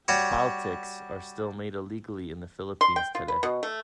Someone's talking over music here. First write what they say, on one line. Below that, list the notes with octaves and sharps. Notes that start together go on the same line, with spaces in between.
"Paltiks" are still made illegally in the Philippines today.
G3 F#4 C#5
C6
G5
F4
B4
B2
A3